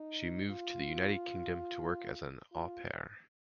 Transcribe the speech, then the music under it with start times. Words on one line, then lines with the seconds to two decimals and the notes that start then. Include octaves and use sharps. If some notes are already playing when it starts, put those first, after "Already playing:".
She moved to the United Kingdom to work as an "au pair".
Already playing: D#4
0.50 F4
2.52 F4